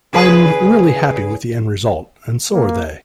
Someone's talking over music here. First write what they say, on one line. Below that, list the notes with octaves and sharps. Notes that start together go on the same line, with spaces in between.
I'm really happy with the end result and so are they.
C#3 G#4 B4
A#3